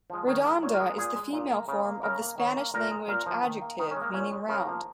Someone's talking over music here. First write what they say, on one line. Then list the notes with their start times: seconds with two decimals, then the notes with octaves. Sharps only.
"Redonda" is the female form of the Spanish language adjective meaning "round".
0.10 F3 G#3
0.27 D#3 C#5
0.45 G#3 A#4
0.63 A#2 C#5
0.74 A#4
0.80 G#3
0.86 G#4
0.97 A#2 G#4
1.16 G#3
1.33 A#2
1.51 A#3
1.68 C#3
1.85 A#3
2.03 C#3 A#4
2.21 A#3
2.38 D#3 C#5
2.56 A#3
2.74 A#2 A#4
2.91 G#3
3.08 A#2 A#4
3.26 F3 A#3
3.43 D#3
3.62 A#3
3.79 D#3 D#4
3.91 C#4
3.96 G#3
4.01 A#3
4.14 A#2 C#4
4.32 G#3
4.48 C#3 A#4
4.67 F3 A#3